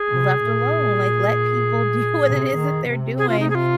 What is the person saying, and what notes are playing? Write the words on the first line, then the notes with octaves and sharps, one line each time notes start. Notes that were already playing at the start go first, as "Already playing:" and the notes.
left alone, like, let people do what it is that they’re doing
Already playing: G#4
C3
A#2
C3
D#3
C3
G#4
F4
D#4
G#4
F4